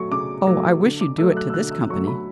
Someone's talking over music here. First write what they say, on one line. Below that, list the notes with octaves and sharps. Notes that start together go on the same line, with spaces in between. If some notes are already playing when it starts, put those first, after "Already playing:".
"Oh, I wish you'd do it to this company."
Already playing: F#3 A3 C#6
C#3 D6
F#3 A3
D3
D6
F#3 A3 E6
F#6
E6
D3 F#6
E6
F#3 A3 C#6
B5